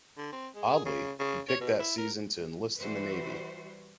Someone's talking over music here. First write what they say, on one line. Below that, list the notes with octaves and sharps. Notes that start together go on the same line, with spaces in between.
Oddly, he picked that season to enlist in the Navy.
D3
C4
G#3
G#4
C#3
C#3
C#5
B2
E4
A#4
E3 G3 F#4 B4 C5